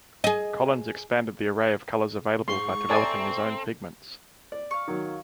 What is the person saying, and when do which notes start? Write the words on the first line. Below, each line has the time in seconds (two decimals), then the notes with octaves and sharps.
Collins expanded the array of colors available by developing his own pigments.
0.24 G#4 D#5
2.48 G#2 C6 C#6
2.90 C4 A4 D5 E5 G#5 A#5
4.52 D5
4.71 F5 C#6
4.88 D#3 F#3